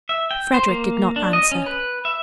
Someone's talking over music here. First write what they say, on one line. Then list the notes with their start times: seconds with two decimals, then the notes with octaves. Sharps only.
Frederick did not answer.
0.09 E5
0.31 G5
0.54 C5
0.68 A#3
1.16 D4
1.33 D#5
1.52 C#4
1.66 B4
2.05 E5